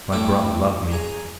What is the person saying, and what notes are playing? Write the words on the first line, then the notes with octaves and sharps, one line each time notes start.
My brother loved me.
G3 A3 C4 C#4 E4 G4
G#4 G#5 A#5